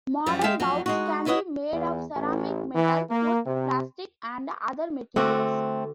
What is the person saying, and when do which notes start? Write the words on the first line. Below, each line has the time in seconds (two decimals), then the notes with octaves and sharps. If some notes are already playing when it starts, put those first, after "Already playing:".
Modern bowls can be made of ceramic, metal, wood, plastic, and other materials.
0.26 F#2 F3 G3
0.44 G#3 E5 F5 G5
0.60 F2 F#3
0.86 G#3 D#4 F#4
1.26 E4 B4 C#5 D#5 F#5
1.72 E2
2.14 A1
2.75 E3
3.09 A#3
3.46 C3
5.16 D3 A3 C4 F#4